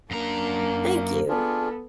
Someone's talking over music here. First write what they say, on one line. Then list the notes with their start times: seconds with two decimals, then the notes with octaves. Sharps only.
Thank you.
0.11 F#2 A#3 D4 A#5
1.29 B3 D4 F4 G#4 A4